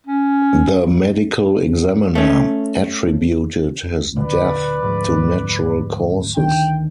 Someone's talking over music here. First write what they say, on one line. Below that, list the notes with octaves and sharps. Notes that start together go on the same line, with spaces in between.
The medical examiner attributed his death to natural causes.
C#4
A3 C#4
D1 A#2 D3 B4 D5
D2 G#2 F3
D2 D#3 D4 G5